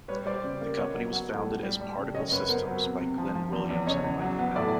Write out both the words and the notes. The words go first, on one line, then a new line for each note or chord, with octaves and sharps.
The company was founded as Particle Systems by Glyn Williams and Michael Powell.
G3 B4 C#5
G3 C5 D5
C#3
A#3
B3 C#5 D#5
F#3
F#3
A2
G3
G3
G3
C#3
F#2 C#5 D#5
F#2 B4 C#5
B3 A#4 C5
F#3
C3
C3
F3
F3
E2
E2
C#3 C#5 D#5
E2
F#3
B3
A2 D5 E5